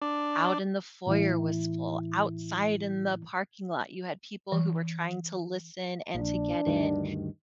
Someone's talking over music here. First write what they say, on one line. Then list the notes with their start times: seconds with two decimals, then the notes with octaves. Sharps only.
out in the foyer was full, outside in the parking lot, you had people who were trying to listen and to get in.
0.02 D4
1.07 A2 E3 E4
4.52 E3
6.15 A#1 D4
6.67 D2 G2 D#3